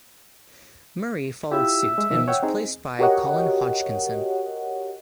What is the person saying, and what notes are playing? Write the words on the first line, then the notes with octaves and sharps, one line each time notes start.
Murray followed suit, and was replaced by Colin Hodgkinson.
E4 F4 G4 E5
G#3
B2 D#3 F3
C#5 F#5 G5
C4 D#4 G#4
F#4 G4 A#4 C#5 D#5 F#5